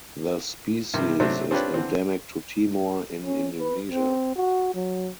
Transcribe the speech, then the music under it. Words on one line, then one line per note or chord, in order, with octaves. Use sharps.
The species is endemic to Timor in Indonesia.
G2 C3 D#3
C3 F#3 A3 C4 D4
C4 D4 F4 G4 B4 C#5
D3 E3 C4
C#4
B4
C4
F#4
F#3